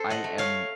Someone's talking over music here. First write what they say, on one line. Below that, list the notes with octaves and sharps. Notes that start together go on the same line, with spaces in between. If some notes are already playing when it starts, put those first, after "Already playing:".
I am
Already playing: A4 C5
D#5 F#5
A3
C#5 F5